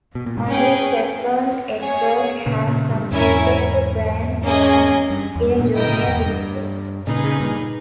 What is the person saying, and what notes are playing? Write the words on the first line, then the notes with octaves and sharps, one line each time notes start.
Only Stefan Edberg has completed the Grand Slam in a Junior discipline.
B2
A#2
G#2 B2
C#4 G#4 B4 G5
G#4 C#5 G#5
A#2 C#3
A#2 C#3
G2 A#2
E2 G#2 C#4 E4 A#4 E5 G#5
A#3 C#4 G#4 D#5 G#5
G2
E2
G2
G2 A#2
G2 A#2 E4 A#4 D#5 G5
C#3
G#2 B2
E2
G2
A#2 C#3 D#4 G#4 B4
A#2 C#3
G2 A#2